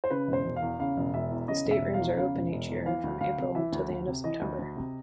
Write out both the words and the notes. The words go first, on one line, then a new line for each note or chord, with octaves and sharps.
The State Rooms are open each year from April till the end of September.
C5
C#3 B4
E1
C5
E1
F5
E2
C#3 F5
E1
E1 E5
E2
C#3 D#5
E1
E5
E1
F5
E2
C#3 F5
E1
E1
E2
E3 F5
D2
D2 F5
C3
E3 E5
D2
D2
C3
E3 D#5
D2
D2
C3